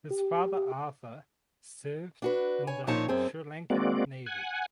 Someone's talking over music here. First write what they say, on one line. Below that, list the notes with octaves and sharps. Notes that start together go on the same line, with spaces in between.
His father Arthur served in the Sri Lankan Navy.
G4
D4 F#4 B4
C#5 G#5
A#2 F3 C#4 D#4 C#5 A5
F#2 C4 G#4
G#3 A#3 C4 F#4 D5
F#5 G#5